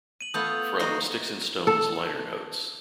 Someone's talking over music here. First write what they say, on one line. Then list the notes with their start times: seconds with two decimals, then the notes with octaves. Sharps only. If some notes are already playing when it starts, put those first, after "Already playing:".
From "Sticks and Stones" liner notes.
0.21 D#7 F#7
0.34 A3 B3 F4 D#6 G6 F7
0.79 D#4 F#4 C5
1.67 A4